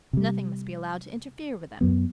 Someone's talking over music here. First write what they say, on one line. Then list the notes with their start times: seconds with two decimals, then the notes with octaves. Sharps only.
Nothing must be allowed to interfere with them.
0.13 C3 G3
1.81 F#2 F#3 B3